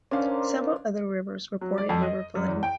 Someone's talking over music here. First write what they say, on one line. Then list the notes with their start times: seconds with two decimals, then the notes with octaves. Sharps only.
Several other rivers reported river flooding.
0.11 C#4 D4 A#4 C5 D5 F5
1.61 F#3
1.78 D5
1.89 F2
2.02 D#5
2.35 F#2
2.47 E2
2.63 G5